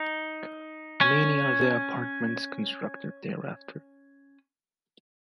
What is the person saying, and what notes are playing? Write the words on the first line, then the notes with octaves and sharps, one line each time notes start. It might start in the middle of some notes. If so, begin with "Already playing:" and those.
Many other apartments constructed thereafter.
Already playing: D#4
C#4